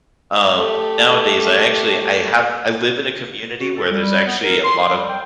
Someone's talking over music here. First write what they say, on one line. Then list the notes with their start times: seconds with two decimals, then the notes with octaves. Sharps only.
um, nowadays I actually I have I live in a community where there's actually a lot of,
0.55 A3 G4
3.61 F#4
3.76 A4
3.91 G3
4.27 B3
4.44 A#4
4.64 C6
4.80 F3
4.94 G3
5.09 G5